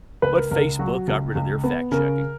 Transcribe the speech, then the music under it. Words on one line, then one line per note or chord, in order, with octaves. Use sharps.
but Facebook got rid of their fact-checking,
C#2 B4
A#4
C#2 A#4
F#3 F#4
C#2
C#2
B3
C#3 A#4